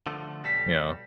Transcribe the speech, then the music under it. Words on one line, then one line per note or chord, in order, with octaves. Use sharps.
you know
D3 F3 A3
B1 G3 A4 A#6 B6